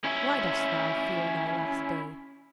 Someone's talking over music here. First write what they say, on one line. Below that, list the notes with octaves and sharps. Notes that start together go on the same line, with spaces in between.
Why dost thou fear thy last day?
C#4 E4